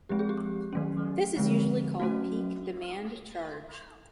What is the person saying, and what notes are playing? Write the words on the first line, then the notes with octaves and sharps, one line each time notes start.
This is usually called peak demand charge.
F3 G#3 C4 G4
G#4
G4
D#3 F#3 A3 C#4
D3 F3 G#3 C4
F#3 A3 C#4 F#4